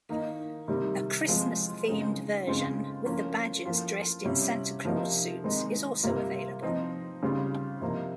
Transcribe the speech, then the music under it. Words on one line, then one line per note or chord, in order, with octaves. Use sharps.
A Christmas-themed version, with the badgers dressed in Santa Claus suits, is also available.
D#3 A#3 D#4
C3 D#3 G3
F3 G#3 C4 F4
C#3 G#3 C4 D#4
C#3 G#3 C4 F4
F3 A#3 C#4 F4
F3 A#3 F4
C3 G3 C#4 F4
C3 F3 A#3 D#4
D#3 G#3 C4 D#4
C3 G3 A#3 F4
F3 C4 D#4
C#3 G3 C4 F4
C3 F3 A#3 D#4